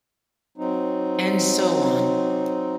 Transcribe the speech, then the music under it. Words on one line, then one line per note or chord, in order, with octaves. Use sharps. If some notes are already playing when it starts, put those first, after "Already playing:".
And so on.
F#3 C4 D#4